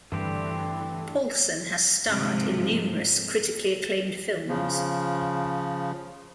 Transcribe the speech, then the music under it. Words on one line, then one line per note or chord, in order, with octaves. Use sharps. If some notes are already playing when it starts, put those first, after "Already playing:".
Paulson has starred in numerous critically acclaimed films.
G2 D3 E3 A3 C4 G4
G#2 C3 F3
C#3 F3